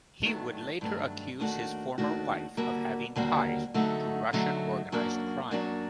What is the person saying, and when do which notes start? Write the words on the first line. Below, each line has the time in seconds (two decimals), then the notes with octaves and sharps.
He would later accuse his former wife of having ties to Russian organized crime.
0.22 G2 D#3 F#3 A3 D4
0.81 G2 D#3 F#3 A3 D4
1.40 D#2 D#3 A3 D4 F#4
1.98 D#2 D#3 A3 D4 F#4
2.57 D#2 D3 G3 A#3 F#4
3.16 D#2 D3 G3 A#3 F#4
3.74 D3 F#3 A3 D#4 F#4
4.33 D3 F#3 A3 D#4 F#4
4.92 F#2 F#3 A#3 D4 F#4
5.51 F#2 F#3 A#3 D4 F#4